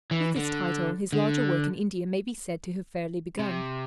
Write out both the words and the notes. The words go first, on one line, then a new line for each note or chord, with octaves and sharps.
With this title his larger work in India may be said to have fairly begun.
E3
D3
D3
C3